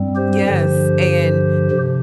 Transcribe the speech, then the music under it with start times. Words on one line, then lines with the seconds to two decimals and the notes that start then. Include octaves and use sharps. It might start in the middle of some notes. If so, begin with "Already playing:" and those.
Yes, and
Already playing: G2 G3 C4
0.15 G4 C5
0.47 G2 D3 F3
1.71 C3 F3